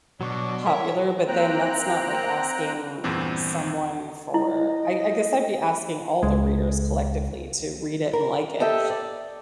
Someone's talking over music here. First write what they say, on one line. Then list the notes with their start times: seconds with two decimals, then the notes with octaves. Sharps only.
popular, but then that's not like asking someone for I I guess I'd be asking all the readers collectively to read it and like it.
0.21 B2 F#3 D4 C#6 D6
0.66 E4 A#4 C#5 E5 C6
1.27 A#3 C4 G5 A#5 F#6
3.04 E2 G2 A#2 E3 C4
4.34 E4 D#5
6.23 C#2 G#3
8.13 A#4
8.60 G4 A4 D#5 E5 G5
8.90 D5